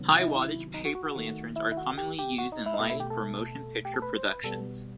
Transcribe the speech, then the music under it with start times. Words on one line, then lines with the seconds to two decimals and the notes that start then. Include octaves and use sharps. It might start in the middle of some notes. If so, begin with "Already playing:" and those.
High-wattage paper lanterns are commonly used in lighting for motion picture productions.
Already playing: C3 D#3 F#3 B3
0.13 F#4
0.20 E4
0.28 D#4
0.35 E4
0.74 D#4
0.85 F#4
0.95 F#4
1.05 F#4
1.16 D#3 A3
1.56 E4
1.72 E4
1.77 F#4
1.98 G4
2.19 G4
2.38 F#4
2.52 D#4
2.66 E4
2.74 D#4
2.79 B2 A3 E4
2.90 E4
3.00 G4
3.10 A4
3.85 G4
3.94 A4
4.02 B4
4.16 C5
4.30 B4
4.44 B2 G3 B3 A4